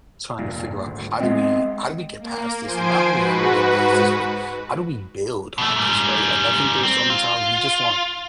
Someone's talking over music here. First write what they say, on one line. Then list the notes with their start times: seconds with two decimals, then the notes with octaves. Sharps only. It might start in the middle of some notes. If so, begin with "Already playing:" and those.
trying to figure out how do we how do we get past this? And not only how do we get past this, but how do we build on this, right? Like, I think there's so many times we just want
0.39 F1 G2 A#2
0.85 G#1 D2
1.20 G#3 B3 C4 D#5
2.20 A#3
2.64 F3 C5 G#5 C6 D7
3.07 G#2 F#4 B4
5.58 B2 A3
5.76 G#2 G3
6.83 C4
7.10 F4